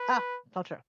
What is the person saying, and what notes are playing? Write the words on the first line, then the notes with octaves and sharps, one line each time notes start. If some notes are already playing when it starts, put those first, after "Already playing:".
Ah! So true.
Already playing: B4